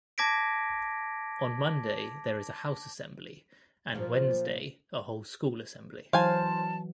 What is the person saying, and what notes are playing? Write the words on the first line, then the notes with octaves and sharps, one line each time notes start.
On Monday there is a house assembly and Wednesday a whole school assembly.
A5 D6 G#6 A#6 B6 D7
A#2 F3
E3 F#3 C5 F5 G#5 A5